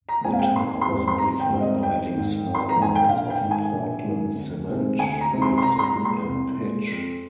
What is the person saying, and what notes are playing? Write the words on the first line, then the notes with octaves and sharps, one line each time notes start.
The tar was modified by adding small amounts of Portland cement, resin, and pitch.
A#5
A#2 G#3 C4 G#5
F5
G5
G#1 C6
C6
G#2 G3 C4
C6
G#1 A#5
G5
G#2 G3 C4
D#5
G#1 G5
G#2 D#3
G#1
C6
A#5
G#2 D#3 G#5
G5
A#1 F5
G5
G#2 D#3
G#5
A#1
G#2 D#3
D2
C3 D#3 G#3 C4
D2 G#5
A#5
C3 D#3 G#3 C4
C6
C6
C2 A#5
C6
A#5
A#2 G#3
C6
C2
A#2 G#3
F2